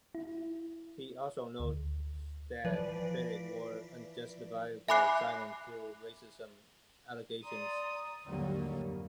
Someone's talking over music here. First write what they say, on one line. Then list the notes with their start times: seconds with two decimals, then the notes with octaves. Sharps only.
He also notes that critics were unjustifiably silenced through racism allegations.
0.15 E4
1.60 D2
2.65 E3 F3 B4 D5
4.88 E5 G#5 B5 D6 F#6 C7
7.45 D5 A#5 C6 D#6
8.26 D#2 G#2 D3 F#3 G3 A#3
8.73 F2